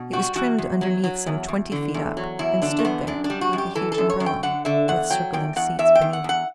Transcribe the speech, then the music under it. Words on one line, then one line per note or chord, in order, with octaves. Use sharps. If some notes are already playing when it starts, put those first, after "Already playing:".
It was trimmed underneath some twenty feet up, and stood there like a huge umbrella, with circling seats beneath.
Already playing: B2
G3 F#4
E2 F#4
E2
F#3
F#3
E2
E2
D3
E2
F#3
E2 E4
D3 D4
A3
E2 B3
F#2 D4
D4
G3
F#4
F#2
G4
E3 A4
A4
F#2
C#5
F#2
G5
D3 F#5
D3 E5
E2 F#5
F#3 G5
E2 G5
E2 F#5
E2 E5
G5
E2
F#5
E2 F#5